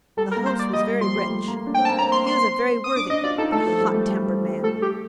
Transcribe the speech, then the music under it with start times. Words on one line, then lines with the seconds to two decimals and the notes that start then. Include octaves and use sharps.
The host was very rich. He was a very worthy but hot-tempered man.
0.17 G3 A4
0.31 A#4
0.36 A#3
0.46 C5
0.59 D5
0.73 G3 D#5
0.87 G3
1.01 F3 C6
1.15 G3
1.28 A3
1.48 A#3
1.67 D4
1.74 C4 G5
1.85 A5
1.90 A#3
1.98 A#5
2.01 C4
2.12 C6
2.26 C6
2.84 D#6
2.96 D4 D6
3.10 D4 D#5
3.24 F4 D5
3.38 D#4 A4
3.52 A3 A4
3.66 F3
3.81 G3
3.94 A3
4.08 G3
4.27 F3
4.45 G3
4.63 A3 A4
4.82 G4